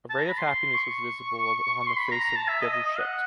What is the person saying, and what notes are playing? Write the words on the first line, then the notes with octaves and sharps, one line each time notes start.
A ray of happiness was visible upon the face of Déruchette.
A5
A#5
B5
C6
C#6
C6
B5
A#5
A#5
A5
E5
D#5
D#5
D#5
F#5